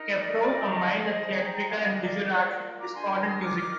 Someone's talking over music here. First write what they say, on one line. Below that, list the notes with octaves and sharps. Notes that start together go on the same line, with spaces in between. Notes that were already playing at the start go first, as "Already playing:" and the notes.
Kaprow combined the theatrical and visual arts with discordant music.
Already playing: D#4 A#4
D5
D#4 G4 A#4 D5
D#5
D#4 G#4 C5 D#5
G5 A#5
G5 A#5
D#4 G4 A#4 F5 G#5
D#5 G5
D#5
D5 F5
F4 A#4
A#5 D6
D4 G4 A#4 G#5 C6
C6 D#6
D6 F6
D#4 A#4 D6 F6